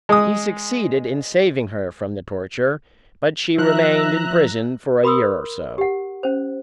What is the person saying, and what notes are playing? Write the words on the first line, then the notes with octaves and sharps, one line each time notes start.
He succeeded in saving her from the torture, but she remained in prison for a year or so.
G#3 D#6
F3 E5 A#5 F#6
A#4 B5 C6 D#6 E6
G4 F#5
C#4 C5